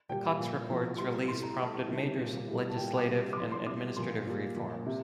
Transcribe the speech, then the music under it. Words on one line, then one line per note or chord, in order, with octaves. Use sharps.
The Cox Report's release prompted major legislative and administrative reforms.
A#2 G3 G5
F5
A#2 F3
A2 F3
A2 G3 C6
A2 G3 C6
A#5
A2 G3 A5
C3 D#3 G3
A#2 G3
A2 G3
A5
A#2 G3 G5
G5
D6
C3 G3
D6
A2 F3 C6
C6
C3 G3 D6
A#2 F3 C6
A#2 G3
A#2 F3
C3